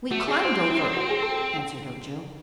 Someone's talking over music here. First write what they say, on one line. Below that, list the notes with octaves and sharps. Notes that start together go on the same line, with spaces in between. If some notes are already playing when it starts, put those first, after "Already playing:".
"We climbed over," answered Ojo.
A3 F#4
C4 G#4
C5
E4
F#4
G#4
A4